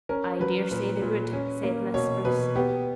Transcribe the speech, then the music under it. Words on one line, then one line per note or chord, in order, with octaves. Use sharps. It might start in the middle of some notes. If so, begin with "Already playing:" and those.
"I dare say they would," said Miss Spruce.
C#4 A#4
F#3 B4
A#2 B4
A#2
C#4
A#3
B2 C#5
B2 B4
B3 G4